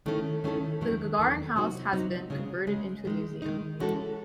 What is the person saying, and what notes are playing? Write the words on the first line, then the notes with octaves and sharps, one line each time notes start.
The Gagarin house has been converted into a museum.
D#3 A3 C#4 E4 A4
D#3 A3 C#4 E4 A4
E2 D#3 F#3 A3
E2 D#3 F#3 A3
C3 F#3 C4 D#4 F#4
C3 F#3 C4 D#4 F#4
C#3 G#3 C#4 G#4
C#3 G#3 C#4 G#4
D#3 G#3 D#4
D#3 G#3 D#4
E3 G#3 C#4 F#4 A4